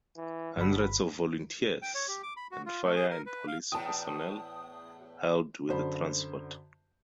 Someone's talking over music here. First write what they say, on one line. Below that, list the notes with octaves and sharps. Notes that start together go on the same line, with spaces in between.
Hundreds of volunteers, and fire and police personnel, helped with the transport.
E3
G1 B2 B5
G5
C#5
G4
D6
B5
F#4
F4
A3
G#4
A#4
B4
F5
E2 A2 G5 A5 D#6
F#2 D3 C5 B5